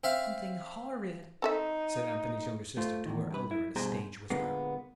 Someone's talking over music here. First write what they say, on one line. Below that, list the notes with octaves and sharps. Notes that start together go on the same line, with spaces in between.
"Something horrid," said Anthony's younger sister to her elder in a stage whisper.
C4 E5 F5
C4 D#4 A4 E5
A3 F4 C5
E2 D#3
G2 B4
E4
G2 B2 G#4 C5 A#5
A#2 D3 G#3 A#3 B3